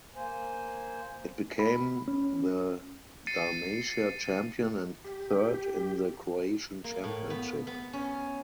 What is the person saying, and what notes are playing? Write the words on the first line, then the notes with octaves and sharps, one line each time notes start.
It became the Dalmatia champion and third in the Croatian championship.
A#3 C5 G#5
B5
C#4
A6 C7 C#7 D#7
G4
A#3
A2
B3
B3
C#4